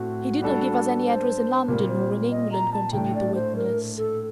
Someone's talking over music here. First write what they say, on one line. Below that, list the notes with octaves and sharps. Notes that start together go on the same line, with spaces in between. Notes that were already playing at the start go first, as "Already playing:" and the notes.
"He did not give us any address in London, nor in England," continued the witness.
Already playing: A2 A3 C4 F#4
G3 D4 A4
C5
A#2 G3 C4 A#4
C5
D#5
A#5
A5
A2 A3 D4 G5
D5
C5
A#4
A4